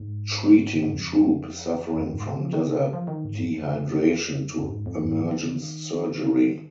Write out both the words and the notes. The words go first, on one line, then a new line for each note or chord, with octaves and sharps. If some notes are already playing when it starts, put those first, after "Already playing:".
Treating troop suffering from desert dehydration to emergence surgery.
Already playing: G#2
G#2
F2
F2
G#2
C3
F3
D#3
C3
F3
D#3
G#2
F2
F2
G#2
F2
G#2
F3
D#3
C3
D#3
C3
D#3